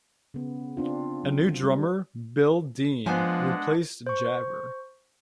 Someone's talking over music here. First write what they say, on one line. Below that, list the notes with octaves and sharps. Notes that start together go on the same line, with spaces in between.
A new drummer, Bill Dean, replaced Jaber.
C#3 B3
C4 D4 F4
F#3
G3
F3 G#3 B3 D4 C5 F#5 G#5
C5 C#6